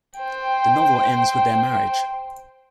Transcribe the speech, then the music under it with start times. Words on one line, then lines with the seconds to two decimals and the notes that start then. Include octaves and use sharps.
The novel ends with their marriage.
0.19 C5 G5